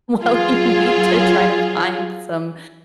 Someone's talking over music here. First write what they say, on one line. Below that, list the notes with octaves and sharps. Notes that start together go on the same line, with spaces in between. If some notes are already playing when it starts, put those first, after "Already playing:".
"Well, you need to try to find some,
F#3 F4 G#4